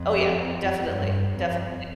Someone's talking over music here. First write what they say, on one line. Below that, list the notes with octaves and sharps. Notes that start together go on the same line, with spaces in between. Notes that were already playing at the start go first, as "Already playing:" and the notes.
Oh, yeah. Definitely. Definitely.
Already playing: F2
G2
F2